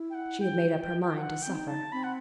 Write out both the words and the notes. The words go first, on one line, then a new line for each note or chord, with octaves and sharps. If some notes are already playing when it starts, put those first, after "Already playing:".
She had made up her mind to suffer.
Already playing: E4
G5
F#5
G5
F#5
C4 G5
D#4
A5
C4 B5
F#5